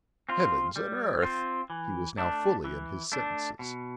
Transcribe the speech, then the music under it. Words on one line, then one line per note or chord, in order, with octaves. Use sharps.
"Heavens and earth!" He was now fully in his senses.
C4 F4
G3
C4 F4
E3
A3 D4
E3
A3 D4
B2